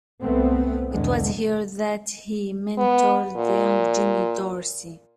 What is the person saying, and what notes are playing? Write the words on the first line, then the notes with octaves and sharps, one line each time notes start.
It was here that he mentored the young Jimmy Dorsey.
C2 A3 B3 C4
B1 E2 D3 G#3
B3
A#2